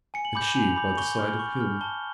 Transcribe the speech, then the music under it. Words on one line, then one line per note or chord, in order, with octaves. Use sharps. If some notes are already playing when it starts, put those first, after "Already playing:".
And she by the side of him!
G#5 C#7
F#7
B5 D6 G6 F#7
G#5 F7
B5 D6 G6
C#6 G7
F6
C#6
F6
A5 G7